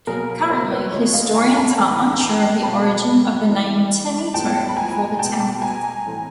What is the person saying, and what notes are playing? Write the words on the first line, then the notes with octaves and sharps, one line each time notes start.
Currently historians are unsure of the origin of the name "Tenino" for the town.
B2 F#3 A#3 G#4 A#4
A#4 C5
B4 C#5
D3 F3 G#3 C4 C#5 D#5
D#5 F5
G#5 A#5
A5 B5
A2 E3 G#3 B3 G#5 A#5
B5
A#5
G5 A5
B2 F#3 A3 C4 A5 B5
E3 G3 C4
A2 F3 G#3 B3 G5 A5
B5
G#5 A#5
B2 G#3 B3 G5 A5
G#5 A#5
A2 E3 A3 C4